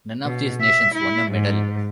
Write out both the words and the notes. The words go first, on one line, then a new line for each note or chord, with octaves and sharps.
None of these nations won a medal.
B2
E5
E4
G#2